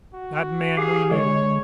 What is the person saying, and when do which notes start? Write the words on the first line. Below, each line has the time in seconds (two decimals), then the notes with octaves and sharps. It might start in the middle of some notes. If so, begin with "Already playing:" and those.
That man we knew.
0.14 F#4
0.77 G4 G#4 F5
1.11 D3 G#3 C#5